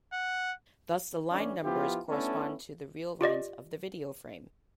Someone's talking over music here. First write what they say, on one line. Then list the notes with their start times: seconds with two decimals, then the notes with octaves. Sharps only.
Thus the line numbers correspond to the real lines of the video frame.
0.13 F#5
1.31 A2 E3 C#4 D4
1.63 F3 B3 E4 F4 G4
2.08 A3 B3 C#4 D4 E4 A4
3.21 F4 G4 D5 D#5